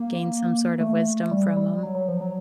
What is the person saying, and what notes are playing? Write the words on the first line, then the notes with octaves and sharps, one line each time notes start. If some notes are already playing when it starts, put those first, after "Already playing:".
gain some sort of wisdom from 'em.
Already playing: A#3
A3
G3
G3
F#3
F#3
F3
F#3